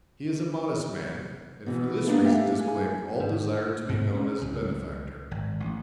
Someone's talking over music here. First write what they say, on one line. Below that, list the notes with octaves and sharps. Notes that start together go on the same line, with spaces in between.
He is a modest man, and for this reason disclaimed all desire to be known as a benefactor.
B2 E3
A#3 B3 D4 D#4
A3 G4 E5 F5
G#4
G#2
G#2
C#4
C#2
G#1
A1